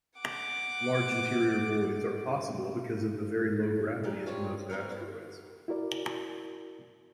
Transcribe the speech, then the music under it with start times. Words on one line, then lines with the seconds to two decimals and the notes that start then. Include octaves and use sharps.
Large interior voids are possible because of the very low gravity of most asteroids.
0.19 F#5 D6
4.03 C#4 G4 A#4 D5
4.26 C3 G3 C4 F4 C#5 F5
4.70 B3 C4 F#4 A#4 F5
4.92 E4
5.68 E4 F#4 A#4 D5